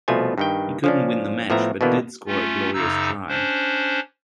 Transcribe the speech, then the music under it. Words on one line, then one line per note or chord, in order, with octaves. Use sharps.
He couldn't win the match but did score a glorious try.
C2 B2 F3 A3 F4 G#5
G2 D#3 G5
F3 C#4 D4
A2 F3 B3 E5 A#5
B2 D3 E3 A#3 B3
A3 C#4 F4
F#2 C#3 D#4 E6
C#4 D4 C5